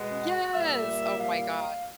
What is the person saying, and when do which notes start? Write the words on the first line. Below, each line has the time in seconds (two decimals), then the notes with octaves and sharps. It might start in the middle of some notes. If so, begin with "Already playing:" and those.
Yes, oh my gosh.
Already playing: B2 G#3 B3
0.22 F#5
0.54 A#2 G3 A#3 E5
1.18 F5